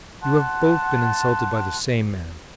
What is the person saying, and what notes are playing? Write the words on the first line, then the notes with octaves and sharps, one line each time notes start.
You have both been insulted by the same man.
F#5 A5 C6 F#6